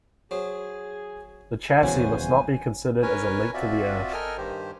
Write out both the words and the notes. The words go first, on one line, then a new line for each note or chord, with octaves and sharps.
The chassis must not be considered as a link to the Earth.
F#3 G#4 C5
D#1 E2 C#3 F#3 F#4 G#4 C5 G#5
C#4 A#4 B4 C#5 G#5
C4 F4 F#4 D5 E5
A4 A#4 D#5 G5 G#5 F6
G2 D#3 G4 C5